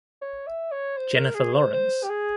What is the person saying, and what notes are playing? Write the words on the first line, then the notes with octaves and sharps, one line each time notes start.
Jennifer Lawrence.
C#5
E5
C#5
C5
A#4
G#4
C5
C5
G4
G#4